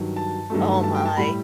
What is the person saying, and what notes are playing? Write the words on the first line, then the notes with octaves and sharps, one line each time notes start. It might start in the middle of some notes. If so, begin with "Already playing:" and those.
Oh my.
Already playing: G2 D#3 F#3
A5
G2 D#3 F#3 A3
A5
G5
A5
A2 G3 B5